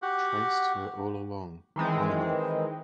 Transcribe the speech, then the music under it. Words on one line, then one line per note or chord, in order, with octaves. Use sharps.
Traced her all along, on and off.
F#4 G4 F#5
D#3 E3 G#3 C4